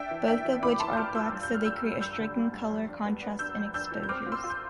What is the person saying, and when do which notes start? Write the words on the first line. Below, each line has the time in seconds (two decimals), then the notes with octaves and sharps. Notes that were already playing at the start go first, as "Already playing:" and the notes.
Both of which are black so they create a striking colour contrast in exposures.
Already playing: D4 E5 G5
0.11 E3
0.28 D4 E5 G5
0.45 E3
0.62 E3 B5 D6
0.80 E3 A5 C6
0.93 G6
0.97 F4 D6 F6
1.15 F4 E6 G6
1.32 G2
1.43 G6
1.49 G2
1.54 F6
1.66 G3 E6 G6
1.84 G3
2.01 G2 E6 G6
2.18 D3
2.36 G3
2.53 G2
2.70 F2
2.88 D4
3.05 B3
3.23 B3
3.39 D4 E6 G6
3.57 F2
3.74 D4 E6 G6
3.92 E3
4.03 G6
4.09 C4 D6 F6
4.26 F4
4.32 C6 E6
4.44 F4
4.50 G6